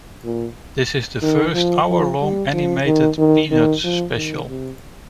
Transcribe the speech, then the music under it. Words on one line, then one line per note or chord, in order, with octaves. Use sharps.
This is the first hour-long animated "Peanuts" special.
A#2
D#3
F3
F3
G3
F3
D#3
D#3
D#3
F3
D#3
C3